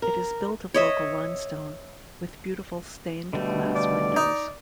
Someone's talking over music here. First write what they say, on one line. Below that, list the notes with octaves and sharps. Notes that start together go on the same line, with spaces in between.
It is built of local limestone, with beautiful stained glass windows.
A#4
C#5 D#5 E5
B2 D3 G3 A3
D5
D#4